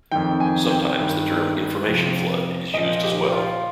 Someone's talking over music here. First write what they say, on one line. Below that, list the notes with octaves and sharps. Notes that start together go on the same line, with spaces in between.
Sometimes the term "information flood" is used as well.
F2 D#3 G5
G#5
G5
G2 D#3
F2 C3 F3
A#2 F3 D#5
G4
F4